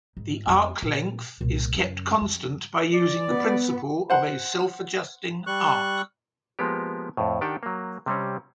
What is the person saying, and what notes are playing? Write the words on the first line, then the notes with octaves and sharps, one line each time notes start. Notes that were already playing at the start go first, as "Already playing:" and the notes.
The arc length is kept constant by using the principle of a self-adjusting arc.
G#2
F2 A#3
A#2
C2 A#2
F#2 C#3
F2
D5
B3
C5 F#5
G3 C#6 F#6
F3 G#3 A#3 B3 G4
F2 A2
D#3 D4 G4 F#5 G5 A5
F#3 A#3
C3 G3 C4 C#4